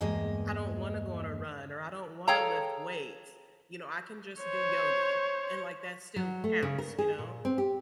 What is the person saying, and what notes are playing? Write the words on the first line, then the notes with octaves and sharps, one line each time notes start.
"I don't wanna go on a run, or I don't wanna lift weights," you know, I can just do yoga, and, like, that still counts, you know,
E2 G2 G#3 A#3 D#5
G#4 A4 C#5 F5 G5 A#5
C5 C#5
F#3
A3
C#3
A#4
G#4
A#2
C4
G4